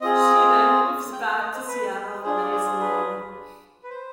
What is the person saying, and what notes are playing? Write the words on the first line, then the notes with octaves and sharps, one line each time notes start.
She then moves back to Seattle and lays low.
C4 F4 G#4 D#5
G5
F5
D#5
C5
B4
D4 F4 G#4 C5
D5
C5
C5
B4
B4
C5